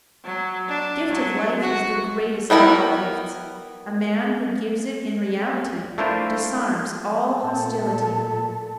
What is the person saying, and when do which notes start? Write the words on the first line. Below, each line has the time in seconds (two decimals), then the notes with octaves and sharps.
Gift of life is the greatest of all gifts; a man who gives it in reality, disarms all hostility.
0.25 F#3
0.68 D4
1.10 F#3
1.62 F#4
2.50 G3 B3 E4 A#4
5.98 A3 D4 E4 F4 A#4 C5
7.42 A#2 A4 A5